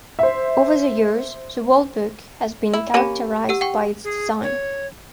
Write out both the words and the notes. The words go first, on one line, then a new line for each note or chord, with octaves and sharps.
Over the years, the "World Book" has been characterized by its design.
C5 E5
E4
A#3 C#4 G4 B5
G4 F#5 E6
F#5 G5 C#6
G#4
C#5